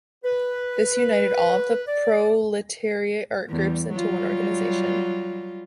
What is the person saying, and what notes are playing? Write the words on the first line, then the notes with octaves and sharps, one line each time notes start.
This united all of the proletariat art groups into one organization.
B4
D5
E2 G3
F#3 G3 F4